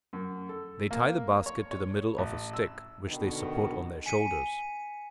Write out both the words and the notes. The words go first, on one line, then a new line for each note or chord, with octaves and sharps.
They tie the basket to the middle of a stick, which they support on their shoulders.
F#2
A4
A#3
C#5
C#5
A1
E6
B2 D3 D#3
G#5 B6 C#7 D#7